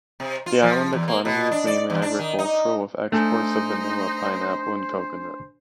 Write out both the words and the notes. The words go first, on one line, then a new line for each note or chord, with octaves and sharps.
The island economy is mainly agricultural with exports of vanilla, pineapple and coconut.
C3
F4
F3
E2
A#3
B2
D4
D5
E2
D4
D#3
D#4
A3 D4 D#4 A4 C5 G#5